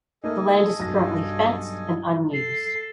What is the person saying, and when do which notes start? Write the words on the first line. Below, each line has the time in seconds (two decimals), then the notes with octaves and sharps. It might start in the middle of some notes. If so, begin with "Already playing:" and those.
The land is currently fenced and unused.
0.24 A3 A#3 D#4 A4 D#5 G#5
0.80 B1 G2 A#6
2.34 A4 C7